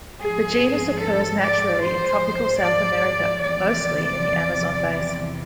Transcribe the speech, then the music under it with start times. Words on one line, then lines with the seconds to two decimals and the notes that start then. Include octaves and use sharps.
The genus occurs naturally in tropical South America, mostly in the Amazon basin.
0.19 G#2 F3 G#4
1.00 A4
1.40 D5
1.81 C5
2.61 D5
3.41 E2 C3 F3 D5